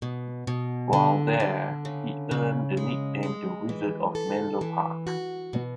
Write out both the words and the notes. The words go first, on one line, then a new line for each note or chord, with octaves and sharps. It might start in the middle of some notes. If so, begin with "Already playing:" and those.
While there, he earned the nickname "the Wizard of Menlo Park".
B2
B2
D3
D3
C#3
C#3
G#3
G#3
E3
A4
E3
F#4
B2